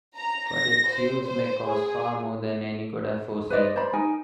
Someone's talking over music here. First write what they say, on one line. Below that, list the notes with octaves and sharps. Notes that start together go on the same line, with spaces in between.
But its use may cost far more than any could have foreseen.
A#5
A#6
C5
C5
G#4
B4 C5 D5 D#5
C5 D5 B5
D#4 A#4 G#5